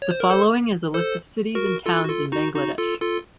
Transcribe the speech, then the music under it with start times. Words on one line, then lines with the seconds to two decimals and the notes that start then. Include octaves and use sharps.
The following is a list of cities and towns in Bangladesh.
0.02 C#5
0.11 C5
0.20 A#4
0.30 A4 C5
0.94 A4 C5
1.55 F#4 A#4
1.86 F4 A4
2.04 F#4
2.09 F4 A4
2.32 D#4 F#4
2.55 D#4 F#4
2.78 F4 A4
3.01 F4 A4